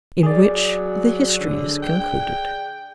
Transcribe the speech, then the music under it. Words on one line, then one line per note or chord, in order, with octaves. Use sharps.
In which the history is concluded.
G#4 D5
F#3
D3
G5